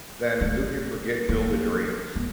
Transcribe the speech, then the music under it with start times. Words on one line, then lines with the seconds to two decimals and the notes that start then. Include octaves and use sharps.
then who can forget Field of Dreams?
0.41 A3
1.29 A#3
2.16 B3